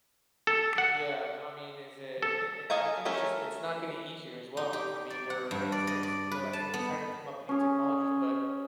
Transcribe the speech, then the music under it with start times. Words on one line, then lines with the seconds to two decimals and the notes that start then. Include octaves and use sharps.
Yeah, I mean, is it it it and I think it's just it's not getting easier as well. I mean, we're it's it's, you know, I think we're just tryna come up with new technologies. But,
0.47 A4
0.78 F#5
2.22 A4
2.70 A4 D#5 F5 G#5 A#5
3.05 A3 C#4 A4 A#4 C#5
4.57 D#4
4.73 G4
5.10 D5
5.30 F#5
5.51 G2
5.72 D5
5.87 D#5
6.03 D5
6.31 B4
6.53 A5
6.74 B3
7.49 C#4 G#4